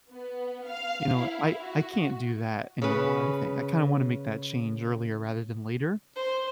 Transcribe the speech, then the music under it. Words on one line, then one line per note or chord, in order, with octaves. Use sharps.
you know? I I can't do that anymore, I think. I kinda wanna make that change earlier rather than later,
B3
F5
E4
F#4
C#3 B4
C5